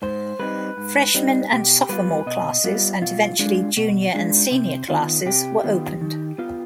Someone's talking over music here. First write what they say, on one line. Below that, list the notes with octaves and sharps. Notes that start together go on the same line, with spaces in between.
Freshmen and Sophomore classes, and eventually, junior and senior classes were opened.
G#2 C5
G3 C4 D#4 B4
G#2
G3 C4 D#4
B2 G4
G3 B3 F4 B4
B2 D#5
G3 B3 F4
B2 F4
G#3 D4 F4
B2
G#3 D4 F4
C3
D#3 B3 F4
C3 G4
D#3 B3 F4
D#3
B3 F4